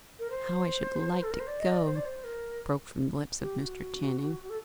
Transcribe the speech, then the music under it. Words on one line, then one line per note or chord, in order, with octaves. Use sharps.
"How I should like to go!" broke from the lips of Mr. Channing.
A#4
C5
A4
A#4
C5
D5
D#5
D5
C5
D5
C5
A#4
G4
F#4
A4